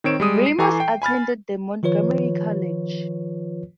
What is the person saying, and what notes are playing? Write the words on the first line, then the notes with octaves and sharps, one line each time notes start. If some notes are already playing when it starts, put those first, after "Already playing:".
Ramos attended the Montgomery College.
D#3 C4 C#5 D7 E7
G3 G#3 D#6 D#7
C7
E3 A4 G#5 A#5 C#6 D6
G5
G#5 B5 F6 A6
D#3 F3 F4 B4 C#5